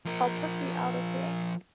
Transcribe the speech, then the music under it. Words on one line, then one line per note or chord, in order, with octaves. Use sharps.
I'll push you out of here.
F3 A#4